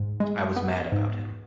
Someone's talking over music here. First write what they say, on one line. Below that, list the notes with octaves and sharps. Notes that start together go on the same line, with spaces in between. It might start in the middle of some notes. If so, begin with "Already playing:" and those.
I was mad about him.
Already playing: G#2
G#3
B3
G#2